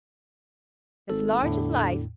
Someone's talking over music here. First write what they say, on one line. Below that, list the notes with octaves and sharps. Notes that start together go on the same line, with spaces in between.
"As large as life."
G#1 A4
E2 A2 D3